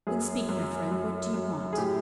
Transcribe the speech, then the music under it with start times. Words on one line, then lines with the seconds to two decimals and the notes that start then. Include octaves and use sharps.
"Then speak, my friend; what do you want?"
0.07 F#2 G#4
0.49 F#2
0.91 F#2
1.34 F#2
1.73 G#4
1.77 A2 G4